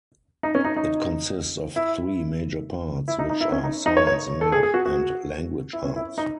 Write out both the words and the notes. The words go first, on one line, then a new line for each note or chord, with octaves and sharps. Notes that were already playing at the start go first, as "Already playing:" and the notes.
It consists of three major parts which are Science, Math, and Language Arts.
D#4
C#4
D#4
D#4
E4
E4
D#4
D#4
E4
C#4
D#4
D#4
C#5
C#5
A4
G#4
G#4
F#4
F#4
E4
C#4
E4
D#4